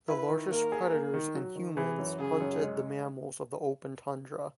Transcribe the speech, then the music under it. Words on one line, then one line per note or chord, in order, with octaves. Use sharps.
The largest predators and humans hunted the mammals of the open tundra.
E4 B4
D#3
A#3 A#4
G#4
A#3
D#3
F#3
D#3
E3 G#4
F#2
C#3 G#4
F#2
G#3